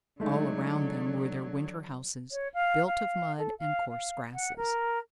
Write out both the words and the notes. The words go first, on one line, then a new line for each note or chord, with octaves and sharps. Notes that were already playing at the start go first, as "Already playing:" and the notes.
All around them were their winter houses, built of mud and coarse grasses.
D3 F#3 G#3 A3 D#4
C#5
F5
F5
A4
F5
F5
F#5
A#4